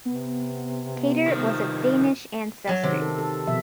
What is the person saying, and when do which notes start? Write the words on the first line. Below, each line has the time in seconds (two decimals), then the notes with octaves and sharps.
Cater was of Danish ancestry.
0.05 C3 B3
1.28 D#3 F3
2.67 F#3 A5
2.83 C3 D#3
3.01 A4
3.19 A4
3.47 B2 F3 E5